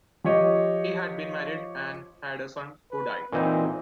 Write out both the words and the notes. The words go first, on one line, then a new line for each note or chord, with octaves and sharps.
He had been married and had a son, who died.
F3 G4 C#5 D#5
B4
A#2 E3 C4 D#4